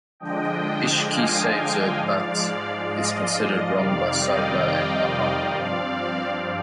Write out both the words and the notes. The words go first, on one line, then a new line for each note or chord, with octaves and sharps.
Ishqi saves her but is considered wrong by Sarla and Ahaan.
D3 F3 G#3 D4 D#5 G5
F5 G#5
D#5 G5
G#2 F3 G#3 D5 F5
D#5
F2 C3 D#3 G3 D5 F5
D#5 G5
D5 F5
D#5
G2 F3 C4 D5 F5